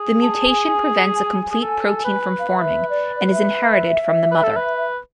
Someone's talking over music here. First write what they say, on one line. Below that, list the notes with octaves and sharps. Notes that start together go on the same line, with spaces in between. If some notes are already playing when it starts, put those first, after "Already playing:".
The mutation prevents a complete protein from forming and is inherited from the mother.
Already playing: G#4
A5
G#5
G#4
A4
B4
F5
E5
D5
D5
E5
B4
A4
B4